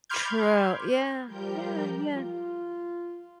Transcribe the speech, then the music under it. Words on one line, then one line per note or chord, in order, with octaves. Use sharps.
True. Yeah. Yeah, yeah.
B5 C6 D6 F6 G6 G#6
F3 G3 G4 A#4 G6
F4